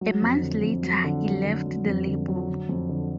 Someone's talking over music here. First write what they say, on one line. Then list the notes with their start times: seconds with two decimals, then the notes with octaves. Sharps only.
A month later, he left the label.
0.01 F#3
0.21 F2
0.42 D3
0.63 F2
0.83 F#3
1.04 D3
1.25 F#3
1.45 D3
1.66 F#3
1.86 F2
2.07 D3
2.28 F#3
2.48 D3
2.69 F2
2.89 D3